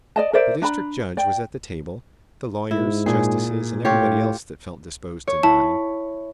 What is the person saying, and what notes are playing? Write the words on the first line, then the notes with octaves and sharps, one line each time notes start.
The district judge was at the table, the lawyers, justices, and everybody else that felt disposed to dine.
D5 D#5 A5
A#4 C5 D5 E5
D4 A#5 B5
D5 G5
G#2 E4
A#2 G#4 G#5
A2 F4 G4 C#5
C#5
E4 A5